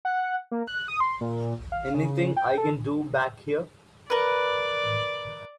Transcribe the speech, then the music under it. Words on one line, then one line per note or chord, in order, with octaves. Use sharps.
Anything I can do back here?
F#5
A#3
F#6
D#6
C6
A#2
F5
C#3
G5
A4
A#4 B4 D5